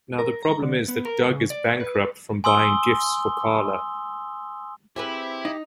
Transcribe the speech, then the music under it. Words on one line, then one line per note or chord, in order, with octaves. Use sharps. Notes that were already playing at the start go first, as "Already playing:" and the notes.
Now the problem is that Doug is bankrupt from buying gifts for Carla.
A#4
A#5
D3
B3
A#4
C#3
D5
B4
G#5 C6 D#6 E6 G7
C4 E4 G4 G#4 B4
D#4